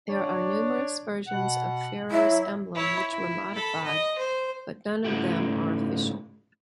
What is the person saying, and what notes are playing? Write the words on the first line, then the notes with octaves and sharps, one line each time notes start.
There are numerous versions of Ferro’s emblem which were modified, but non of them are official.
D4 C#5 D5
B2 F#5
F#3 E4
E4 C#5
E4
A4 B5
D#5
C5
G#2 C#3 A3 E4 F#4 G4